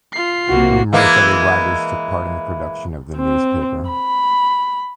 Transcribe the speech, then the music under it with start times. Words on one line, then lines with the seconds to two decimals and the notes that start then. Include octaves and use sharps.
Numerous other writers took part in the production of the newspaper.
0.13 F4 C7
0.49 B1 C3 A#3 F#4
0.93 E3 G#3 A#3
3.17 C4
3.90 B5